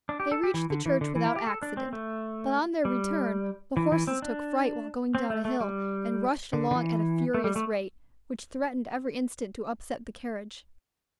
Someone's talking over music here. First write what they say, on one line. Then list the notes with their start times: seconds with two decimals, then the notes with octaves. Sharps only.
They reached the church without accident, but on their return the horses took fright while going down a hill, and rushed along at a furious rate, which threatened every instant to upset the carriage.
0.09 D4
0.20 G4
0.32 A4
0.43 G4
0.54 E3
0.70 D3
0.86 E3
1.01 D3
1.15 E3
1.26 E4
1.36 G4
1.47 A4
1.63 D4
1.77 C4
1.93 A3
2.85 G3
3.77 E3
3.92 E3
4.07 C4
4.22 D4
5.15 C4
5.30 A3
5.45 A3
5.60 G3
6.53 D3
6.71 D3
6.75 E3
7.34 A3
7.44 G3
7.56 A3